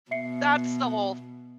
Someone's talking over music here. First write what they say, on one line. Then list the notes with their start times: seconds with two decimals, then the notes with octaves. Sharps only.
that's the whole th
0.11 B2 E5 C7 C#7